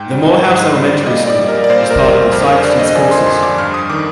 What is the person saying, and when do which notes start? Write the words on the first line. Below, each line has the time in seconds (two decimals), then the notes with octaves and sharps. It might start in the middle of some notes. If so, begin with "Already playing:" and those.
The Morehouse Elementary School is part of the Sikeston school system.
Already playing: G#2 G5
0.12 G3
0.22 D#5
0.43 G#2 C5
0.65 C5
0.75 G3
0.86 D5
1.06 A#2 D#5
1.27 D5
1.38 G3
1.48 A#4
1.64 D5
1.70 A#2 C5
1.90 A#4
2.01 G3
2.11 A#4
2.32 F2 A#4
2.48 C5
2.64 D3 D5
2.80 D#5
2.95 F3 G#5
3.11 C6
3.26 F2 C6
3.43 D6
3.58 G2 F6
3.74 D#6
3.90 D#3 D6